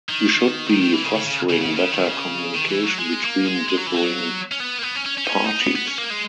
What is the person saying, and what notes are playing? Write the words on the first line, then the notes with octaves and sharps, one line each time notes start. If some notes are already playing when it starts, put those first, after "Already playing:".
We should be fostering better communication between differing parties.
D#3
D#3
D#3
E3
C#3
C#3
C#3
C#3
C#3
C#3
D#3
C#3
D#3
E3
F#3
G#3
A#3
G#3
G#3
F#3
E3
F#3
C#4
B3
A#3
B3
C#4
C#4
C#4
D#4
C#4
D#4
B3
B3
C#4
A#3
G#3